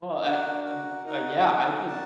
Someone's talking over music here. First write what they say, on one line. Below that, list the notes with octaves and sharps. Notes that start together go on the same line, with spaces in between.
Well, I I w I yeah, I think
D4 F#4 A#4 F#5
F#4 A#4 F#5
D#4 F#4 A#4 F#5
F#4 A#4 F#5
F#4 A#4 D5 A5